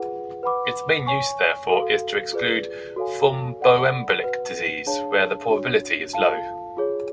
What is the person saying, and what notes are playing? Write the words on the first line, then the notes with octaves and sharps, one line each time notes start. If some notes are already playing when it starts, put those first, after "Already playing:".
Its main use, therefore, is to exclude thromboembolic disease where the probability is low.
Already playing: F4 G#4 B4 F#5
B4 F#5 B5 D6
C#5 G#5 C#6
F#4 A4 F5
F4 G#4 B4 D5
F#4 A4 C#5 F5 G#5
A4 D5 F#5 B5
F#4 B4 F#5
D4 G#4 C#5 F5 A5
D4 F#4 C#5
F4 A4 F5 A5
F4 G#4 C#5